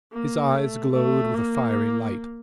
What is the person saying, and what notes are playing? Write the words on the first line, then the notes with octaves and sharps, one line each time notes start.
His eyes glowed with a fiery light.
A#3
A3
A3
A#3